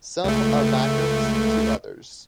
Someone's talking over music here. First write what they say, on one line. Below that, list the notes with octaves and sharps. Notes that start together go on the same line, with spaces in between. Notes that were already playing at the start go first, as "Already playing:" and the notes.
Some are backups to others.
C#2 A3